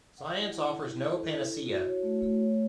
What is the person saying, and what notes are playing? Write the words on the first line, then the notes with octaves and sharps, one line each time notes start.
Science offers no panacea.
F#5
E4
E4
E4
E4
A4
E4
E4
F#4
C#5
A3
A3
C#5